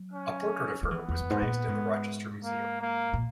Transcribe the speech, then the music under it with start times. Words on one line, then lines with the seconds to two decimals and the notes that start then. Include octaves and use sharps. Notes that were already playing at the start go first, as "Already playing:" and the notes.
A portrait of her was placed in the Rochester museum.
Already playing: F#3
0.13 C#4
0.83 F#3
0.91 E3 B3
1.09 E2
1.20 F#2
1.30 G#2
1.42 A#2
1.68 G#2
2.44 A#3
2.81 A#3
3.13 A#2